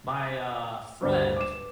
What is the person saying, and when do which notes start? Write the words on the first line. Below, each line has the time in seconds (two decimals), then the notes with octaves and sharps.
my, uh, friend,
1.02 D2 G2 C5
1.36 D6 E7
1.54 B4